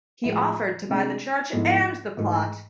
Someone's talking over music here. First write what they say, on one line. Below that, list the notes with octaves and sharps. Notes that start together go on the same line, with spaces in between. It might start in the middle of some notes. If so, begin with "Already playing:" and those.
He offered to buy the church and the plot.
A2 F3 G#3
C3 G#3 D4
G#2 F3 B3 E4 A4
G#2 E3 A3